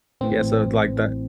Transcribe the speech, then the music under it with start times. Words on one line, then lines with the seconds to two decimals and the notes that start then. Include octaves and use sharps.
Yes, I would like that.
0.21 A1 A2 E3 C4